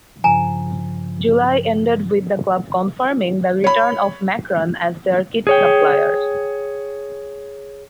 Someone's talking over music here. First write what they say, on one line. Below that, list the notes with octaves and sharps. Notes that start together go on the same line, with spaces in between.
July ended with the club confirming the return of Macron as their kit supplier.
G2 C#3 F3 G#5 A#5
C#5 B5
G#4 C#5 G5